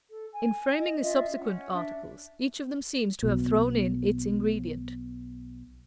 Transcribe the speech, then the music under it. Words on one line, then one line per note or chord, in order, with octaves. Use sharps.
In framing the subsequent articles, each of them seems to have thrown in its ingredient.
A4
G#5
D#5
C#4 F4 D#5 E5
C#4 F#5
D4 E5
B1 B2